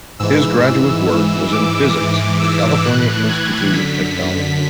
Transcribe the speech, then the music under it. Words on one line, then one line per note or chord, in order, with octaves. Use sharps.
His graduate work was in physics at the California Institute of Technology.
G#2 E3 E6
G#2 E3
D6
G#2 E3
E6
A2 E3 F#6
G#6
F#2 D3 B6